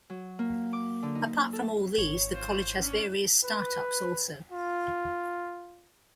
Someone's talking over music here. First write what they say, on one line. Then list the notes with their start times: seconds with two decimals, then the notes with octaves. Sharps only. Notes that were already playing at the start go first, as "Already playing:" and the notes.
Apart from all these the college has various start-ups also.
0.10 F#3
0.39 A#3
0.73 D6
1.03 D3
1.15 D#4
1.53 A4
1.98 G#1 C#5
2.30 F4 C5
2.77 C#4 D4
3.44 B4
4.52 F4